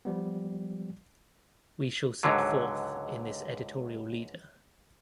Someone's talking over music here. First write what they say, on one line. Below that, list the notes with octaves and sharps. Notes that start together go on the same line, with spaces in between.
We shall set forth in this editorial leader.
F3 G3 B3
C#2 G#2 D3 F#3